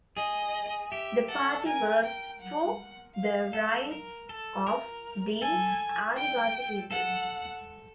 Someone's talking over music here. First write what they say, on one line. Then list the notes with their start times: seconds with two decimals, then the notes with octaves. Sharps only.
The party works for the rights of the Adivasi peoples.
0.17 G#4 D#5
0.91 G4 E5
1.28 A4 F#5
1.66 A#4 G#5
2.04 G5
2.41 F#5
3.16 F5
3.53 A4
3.91 A#4
4.29 A4
4.67 A#4
5.41 A4 G#5
6.16 G5
6.91 A4 F#5